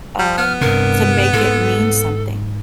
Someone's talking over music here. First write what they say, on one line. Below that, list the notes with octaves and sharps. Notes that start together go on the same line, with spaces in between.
um, to make it mean something.
G3
B3 F6
G2 C3 A#4
G#2 A4